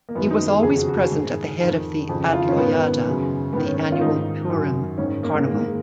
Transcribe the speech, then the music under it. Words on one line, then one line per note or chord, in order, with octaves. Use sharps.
He was always present at the head of the "Adloyada", the annual Purim carnival.
A#3
F#2 D#3 B3
D#4
G#4
F2 C#3 G#4
F#4
F#4
G#4
G#2 D#3
F2 D#3
F2 C#3
F4
C#4
G#2 D#3 B3
F#2 C#3
G#2 D#3 B3
C#4
C#4
F4
G#2 D#3 D#4
F#2 D#3
G#2 D#3 C#4
A#3
G#3
G#2 D#3 G#3 A#3